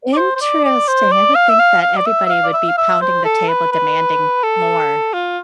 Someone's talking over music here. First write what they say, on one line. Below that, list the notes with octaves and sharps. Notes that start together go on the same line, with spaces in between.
Interesting. I would think that everybody would be pounding the table demanding more.
D5
C5
C5
D5
D5
C5
D5
F5
E5
F5
F5
D5
E5
E5
F5
D5
E5
F5
E5
C5
A4
B4
B4
A4
F4